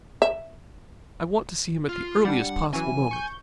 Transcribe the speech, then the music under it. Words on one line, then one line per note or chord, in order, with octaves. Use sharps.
I want to see him at the earliest possible moment.
E5
F4 F6 C7
G3 D4 F#5
E3 F#3 C#4 G#5
C#6 G6